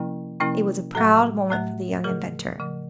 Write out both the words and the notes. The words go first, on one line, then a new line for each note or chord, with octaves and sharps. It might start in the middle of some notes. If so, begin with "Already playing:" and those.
It was a proud moment for the young inventor.
Already playing: C3 F3 A#3 C#4 E4
C3 F3 A#3 C#4 E4
A2 F#3 A3 A4
A2 F#3 A3
C#3 F3 A3 G#4 A#4
C#3 F3 A3